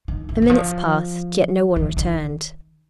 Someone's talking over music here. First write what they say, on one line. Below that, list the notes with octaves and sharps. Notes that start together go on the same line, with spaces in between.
The minutes passed, yet no one returned.
D#3
E3
E3
F3
E3
D#3